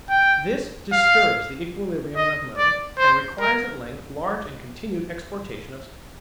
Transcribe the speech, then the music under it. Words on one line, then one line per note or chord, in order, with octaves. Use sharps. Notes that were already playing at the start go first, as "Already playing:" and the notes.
This disturbs the equilibrium of money and requires at length large and continued exportation of specie.
G5
F5
D#5
D5
C5
A#4